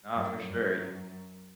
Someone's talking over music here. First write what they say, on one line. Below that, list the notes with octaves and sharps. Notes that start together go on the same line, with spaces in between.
Uh, for sure.
F#2
F#2